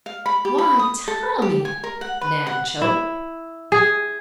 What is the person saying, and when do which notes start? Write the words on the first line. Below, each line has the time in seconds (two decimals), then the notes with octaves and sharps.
"Why, Tommy!" Nan choked.
0.06 F5
0.26 B5
0.45 G4
0.58 B5
0.79 D#6
1.08 A4
1.42 G4
1.65 G#5
1.84 A#4
2.01 F#5
2.21 B4
2.47 F#5
2.82 E4
3.72 G#4